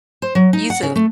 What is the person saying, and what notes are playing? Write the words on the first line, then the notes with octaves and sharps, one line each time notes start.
You too.
C5
F#3
D#4
F#5
C#3
A3